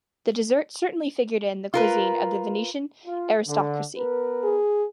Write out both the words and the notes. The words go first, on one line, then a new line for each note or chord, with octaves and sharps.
The dessert certainly figured in the cuisine of the Venetian aristocracy.
F4 A#4 B4
F4
D3
B3 A#4 B4
G#4